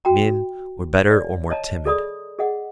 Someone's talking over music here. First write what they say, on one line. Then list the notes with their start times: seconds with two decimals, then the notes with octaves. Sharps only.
Men were better, or more timid.
0.05 F#4 G5 A#5
1.11 C#5 D5
1.50 C#5 D#5 A5 A#5
1.86 G#4 A4 D5 B5 D#6
2.39 G#4 D#5 F#5